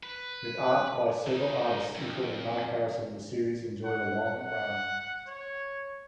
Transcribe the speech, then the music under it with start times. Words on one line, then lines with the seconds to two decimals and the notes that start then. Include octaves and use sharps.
With art by several artists including Mark Harrison, the series enjoyed a long run.
0.03 B4
1.27 D3 D#4
1.95 F2
3.85 F#5
4.41 F#5
5.27 C#5